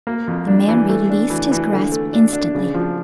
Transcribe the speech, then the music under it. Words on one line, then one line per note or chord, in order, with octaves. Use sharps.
The man released his grasp instantly.
A#3
F2
D4
E3
A3
D4
E3
E3
D3
A3
D4
D4
C#3
F3